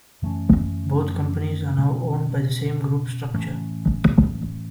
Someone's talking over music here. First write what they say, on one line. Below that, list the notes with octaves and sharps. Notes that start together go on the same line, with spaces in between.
Both companies are now owned by the same group structure.
F#2 E3 A3 C#4
B2 G#3 C#4
A2 E3 A3 C#4